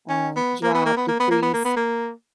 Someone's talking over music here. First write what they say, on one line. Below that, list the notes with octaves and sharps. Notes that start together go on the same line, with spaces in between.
uh, drop, decrease.
C#4
B3
A#3
B3
A#3
B3
A#3
B3
A#3
B3
A#3
B3
A#3